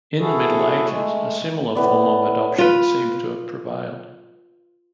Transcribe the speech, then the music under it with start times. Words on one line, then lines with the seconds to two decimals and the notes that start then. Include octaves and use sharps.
In the Middle Ages a similar form of adoption seems to have prevailed.
0.19 E4 F#4 G#4 A4
0.87 G#3 A3
1.75 A2 B3 D5
2.58 F4 B4